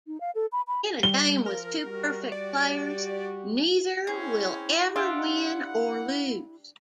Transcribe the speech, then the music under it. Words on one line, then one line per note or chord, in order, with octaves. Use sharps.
In a game with two perfect players, neither will ever win or lose.
D#4
F5
A4
B5
B5
G3 G7
F3 F4 A#4
G3 F#4 G4
D5
C4 C#4 E4 G#4
D4 F4 G4 E5 F#5
E4